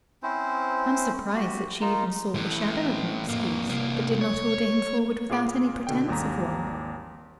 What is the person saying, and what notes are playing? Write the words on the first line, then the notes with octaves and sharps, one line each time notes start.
I am surprised that she even sought the shadow of an excuse, but did not order him forward without any pretense of one.
C4 C#4 E4 C5
F#4 G4
D#4 F4 A#4
A2 E3
F2 A#3
C2 A#3
C#5
A#2 F4 G#4 F5 D6 D7
B2 D3 G5
G#1 D#2 G3 G4 A#5